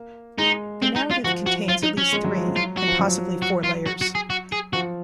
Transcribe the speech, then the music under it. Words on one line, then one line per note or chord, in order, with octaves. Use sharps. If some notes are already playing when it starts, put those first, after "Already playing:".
The narrative contains at least three and possibly four layers.
Already playing: A#3
G#3 D#4
C4
D#4
F4
F3 F#4
F#4
F4
D#4
C#4
G#3
F#3
F3
F#3
F4
F#4
F3
F#3
F#4
F4
F#4
F#4
G#4
F#4
G#4
F3 F#4